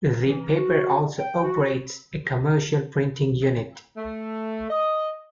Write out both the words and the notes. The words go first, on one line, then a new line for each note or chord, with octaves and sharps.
The paper also operates a commercial printing unit.
E3
F#4
G5
F#4
A3
D#5